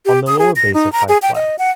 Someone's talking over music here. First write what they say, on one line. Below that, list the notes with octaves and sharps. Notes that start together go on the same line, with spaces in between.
On the lower base are five plaques.
G4
D#6
G#4
A#6
D#4
A#5
G#4
G5
D#5
F#5